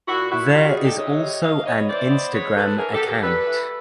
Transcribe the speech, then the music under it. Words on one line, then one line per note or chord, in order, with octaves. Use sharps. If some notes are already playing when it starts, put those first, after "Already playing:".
There is also an Instagram account.
A#2 E4 F#4
B3 E4 F#4
G3 F4 G4
F#4 G#4
D#4
G4 A4
C3 C#5 D#5
G3
E3 D#5 F5
B3 C#5 D#5
E3 C5 D5
B3
G#3 B4 C#5
D4 A4 B4
E3 G#4 A#4
G4 A4
B3
G4 A4
G3 A4 B4
E3